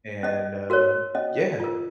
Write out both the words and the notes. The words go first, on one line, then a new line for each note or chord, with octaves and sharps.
and, uh, yeah,
C#4 D#5
F#4 A#4 C#5
C#4 D#5
F4 A#4